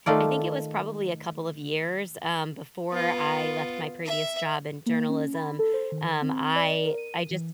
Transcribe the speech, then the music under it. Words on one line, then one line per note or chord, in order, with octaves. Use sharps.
I think it was probably a couple of years, um, before I left my previous job in journalism. Um, I I just
D#3 A3 F4 D5
B3 F4
E5
A#3
C#4
B5
A4
C5
D#3
C4
D5
A#4
D#7
E3